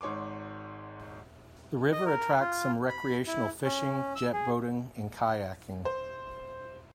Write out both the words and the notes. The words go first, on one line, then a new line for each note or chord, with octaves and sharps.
The river attracts some recreational fishing, jetboating and kayaking.
G#1 G#2 C#5 C6 D6
D#5
A#4
F4
B5
E4
C#4
E6
G#4
C5